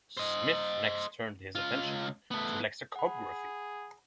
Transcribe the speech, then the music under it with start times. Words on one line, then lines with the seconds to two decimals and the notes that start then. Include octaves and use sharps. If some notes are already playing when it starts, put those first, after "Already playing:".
Smith next turned his attention to lexicography.
0.17 C5 D#5
1.55 C#2 F4
2.31 A3 B3
2.96 G#4 F#5 B5